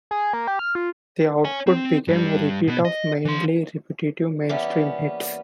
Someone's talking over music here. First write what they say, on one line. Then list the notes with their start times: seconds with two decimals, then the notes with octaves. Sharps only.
The output became a repeat of mainly repetitive mainstream hits.
0.11 G#4
0.33 A#3
0.48 G4
0.59 F6
0.75 F4
1.45 C#5 G#5
1.67 C4
2.08 G2 G3
2.67 B2 B3
2.85 D#5
3.25 E3 C6
4.49 E3 G3 A#3 B3 C#4